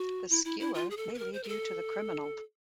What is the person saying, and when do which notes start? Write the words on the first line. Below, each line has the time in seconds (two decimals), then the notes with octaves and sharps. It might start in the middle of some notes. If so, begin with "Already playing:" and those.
The skewer may lead you to the criminal.
Already playing: F#4
0.30 E4
0.45 E4
0.60 E4
0.74 F4
0.90 G#4
0.97 A4
1.14 B4
1.18 A#4
1.33 C5
1.44 A#4
1.49 A4